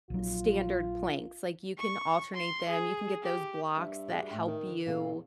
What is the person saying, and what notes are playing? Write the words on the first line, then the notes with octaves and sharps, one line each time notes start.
standard planks. Like, you can alternate them, you can get those blocks that help you. Y
A#1 F#3 F4
C#6
C6
G#4
G4
G2 E5
D4 F#4 G#4
A2 G5
D#3
D3
E2 A#2 C#3 A4 F5